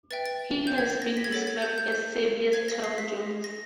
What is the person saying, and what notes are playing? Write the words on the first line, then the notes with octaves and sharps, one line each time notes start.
He has been described as "Serbia's Tom Jones".
B4 E5 G5 A6
A6
G6
G#6
A6
A#6
B6
G#6
A4 C#5 F#5 A6
G#6
G6
G6
G6
C5 F5 G#6
A#6
C7
B6
A#6